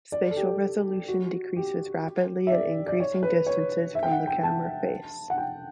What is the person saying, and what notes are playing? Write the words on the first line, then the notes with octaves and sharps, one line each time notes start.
Spatial resolution decreases rapidly at increasing distances from the camera face.
D5
A4
G4
F#4
G4
E5
D5
D5
C#5
B4
C#5
E5
G5
F#5
G5
A5
F#5
G5